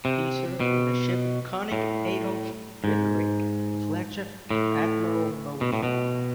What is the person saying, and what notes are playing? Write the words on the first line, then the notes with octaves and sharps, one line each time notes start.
He served in the ship "Konig Adolf Frederic", the flagship of Admiral Modee.
C3
B2
A2
G#2
A2
B2
A2
B2